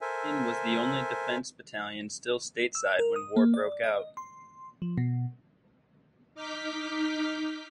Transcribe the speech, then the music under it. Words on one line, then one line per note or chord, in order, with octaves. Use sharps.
The battalion was the only defense battalion still stateside when war broke out.
A4 A#4 C5 E5 G#5
E6
A#4
D#6
A#3
D5
D#5
C6
F3
B2
D#4 D6 F6 G6 B6